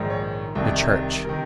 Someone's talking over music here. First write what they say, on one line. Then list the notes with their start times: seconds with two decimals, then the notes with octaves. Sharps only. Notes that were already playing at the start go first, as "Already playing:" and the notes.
The church...
Already playing: A#1 G#2 D#3
0.10 C#5
0.55 C2 C3 D#3
1.24 C3 D#3 A#4